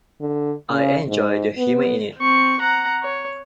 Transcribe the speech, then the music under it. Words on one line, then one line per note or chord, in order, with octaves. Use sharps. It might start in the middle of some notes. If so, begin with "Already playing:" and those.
I enjoy the humor in it.
D3
C#3
G#2
B3
C4 C#6
F#5 A#5
C#5